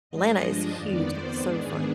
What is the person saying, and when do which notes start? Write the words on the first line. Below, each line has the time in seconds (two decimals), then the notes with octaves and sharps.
Atlanta is huge, that's so fun,
0.10 G2 F3 G#3 D4 D#5
0.74 F2 D#3 B3 D5
1.06 C5
1.39 G#2 D#3 B3 D4 G#4